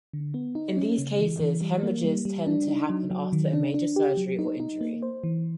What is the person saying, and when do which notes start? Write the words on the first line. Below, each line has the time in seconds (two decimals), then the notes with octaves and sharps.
In these cases, haemorrhages tend to happen after a major surgery or injury.
0.13 D3
0.34 B3
0.55 D#4
0.77 C#4
0.98 C#3
1.19 E3
1.40 E3
1.61 G3
1.83 A#3
2.04 G3
2.25 G3
2.47 D4
2.68 D#4
2.90 F#3
3.10 F#3
3.33 D#3
3.53 D4
3.74 D4
3.96 G4
4.17 F#3
4.39 D#4
4.60 D#4
4.81 A#3
5.02 C5
5.24 E3